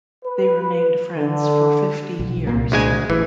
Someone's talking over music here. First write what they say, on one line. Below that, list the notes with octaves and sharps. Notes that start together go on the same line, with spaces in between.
They remained friends for fifty years.
B4
D3
B1
C2 A#2 A#3
D2 G#3 G#5
A1 E3